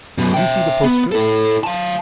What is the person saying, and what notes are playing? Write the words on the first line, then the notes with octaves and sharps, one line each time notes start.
"Did you see the postscript?"
F#2 B2
E5 G5
B3
E4 A4
F5 A5